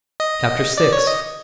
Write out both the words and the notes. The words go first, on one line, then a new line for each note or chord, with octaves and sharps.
Chapter VI.
D#5
D5
C#5
D#5